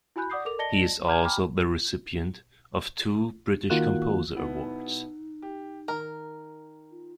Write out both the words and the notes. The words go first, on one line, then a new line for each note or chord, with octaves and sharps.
He is also the recipient of two British Composer Awards.
E4 F#4 G#5 B5 F#6 G6
D5 F#5 D6 D#6 G6 C7
A4 A#4 D6 F7
D5 D#5 A5 A#6 C#7 G7
D6 F6 G6 G#6
G5 G#5 A#5 B5 D6 F6
D#3 A#3 F4 F#4 F#6
B2 B3 D#4 E4
G4
D#3 A#4
F4